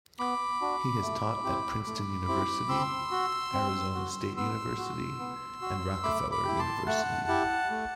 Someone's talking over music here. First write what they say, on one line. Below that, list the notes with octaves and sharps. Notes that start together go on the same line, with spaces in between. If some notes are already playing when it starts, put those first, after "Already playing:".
He has taught at Princeton University, Arizona State University and Rockefeller University.
B3 B5 D6
D4 F#4
A3
C4 E4 G4
A3
C4 E4 G4
C4 C6 E6
F#4
C4
F#4
B3 C6 E6
F#4
B3
F#4
A3 B5 D6
B5 D6
E4 G4
A5 C6
A3 F#5 A5
E4 G4
A3